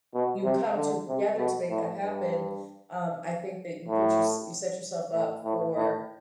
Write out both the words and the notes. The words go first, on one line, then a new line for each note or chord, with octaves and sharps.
you come together to make that happen, um, I think that you put yourse you set yourself up for,
B2
C3
D3
C3
B2
A2
G2
A2
A2
A2
A2